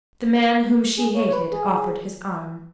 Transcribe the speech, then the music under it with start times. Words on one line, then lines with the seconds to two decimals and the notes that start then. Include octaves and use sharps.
The man whom she hated offered his arm.
0.97 G#4
1.15 C#5
1.27 C#5
1.33 B4
1.52 G#4